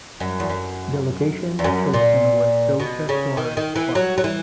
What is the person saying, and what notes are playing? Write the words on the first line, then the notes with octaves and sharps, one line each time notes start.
The location chosen was Souza Soares Park.
F#2
E2
F#2
E2
F#2
A#2
B2
C#3
D#3
D#3
E3
F#3
F#3
E3